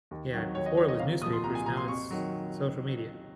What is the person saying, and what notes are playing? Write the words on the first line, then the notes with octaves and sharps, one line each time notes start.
Yeah, before it was newspapers, now it's social media.
D#2
D#3 F#3
D#2 C#5
D#5
D#3 F#3 C#5
D#5
C2 F5
A#2 F3 D#6
C6
C2 A#5
G#5
A#2 F3 A#5
C6
F2 C#6
D#3 F#3